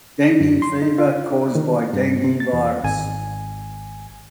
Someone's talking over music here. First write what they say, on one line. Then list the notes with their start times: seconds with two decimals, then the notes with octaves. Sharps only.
Dengue fever caused by "Dengue virus".
0.41 F#2
0.62 C6
0.82 D#4
0.98 F4
1.30 D4
1.55 D#3
1.93 G2
2.24 C3
2.40 A6
2.53 E2
2.84 G#1 G#5